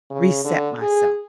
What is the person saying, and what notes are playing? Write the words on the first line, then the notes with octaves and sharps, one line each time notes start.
reset myself.
C#3
D3
G#4